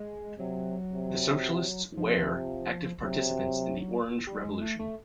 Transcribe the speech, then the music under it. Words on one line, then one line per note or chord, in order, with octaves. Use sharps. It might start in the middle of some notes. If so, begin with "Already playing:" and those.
The socialists where active participants in the Orange Revolution.
Already playing: G#3
C3 F#3
C3
C3 F3
C3 F#3
G3
G#3
A3
A3